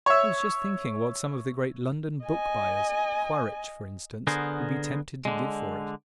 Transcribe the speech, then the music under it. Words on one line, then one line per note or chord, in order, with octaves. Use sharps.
I was just thinking what some of the great London book-buyers--Quaritch, for instance--would be tempted to give for it.
C#5 E5
D#5 G#5
D3 B3 G#4 A#4 C5
D3 G#3